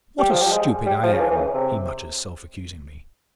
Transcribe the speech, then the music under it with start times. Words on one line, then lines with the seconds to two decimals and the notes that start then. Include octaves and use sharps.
"What a stupid I am!" he mutters self-accusingly.
0.19 G3
0.31 F3
0.42 G3
0.52 G#3
0.86 G3
1.03 F3
1.13 C#3
1.20 E3
1.31 E3
1.37 C#3
1.54 C3